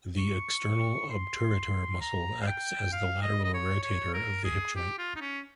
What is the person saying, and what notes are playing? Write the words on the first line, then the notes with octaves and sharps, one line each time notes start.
The external obturator muscle acts as the lateral rotator of the hip joint.
C#6
C6
A#5
F5
G5
F5
D#5
D#5
C#5
C#5
A#4
G#4
G4
F4
D#4
C#4